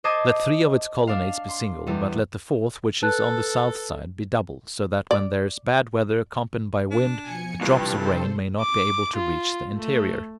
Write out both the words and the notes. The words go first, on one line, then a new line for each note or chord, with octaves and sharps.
Let three of its colonnades be single, but let the fourth, which is on the south side, be double, so that when there is bad weather accompanied by wind, the drops of rain may not be able to reach the interior.
C5 D#5 A5 D6 D#6 G#6
D4 F5
C6
E2 G3
A4 B4 A5 F#6
D5
D4
B2 F3 G#5 C#7
D2 G2 C3 E3 F4 G4
A4 C5
D6
F4
A3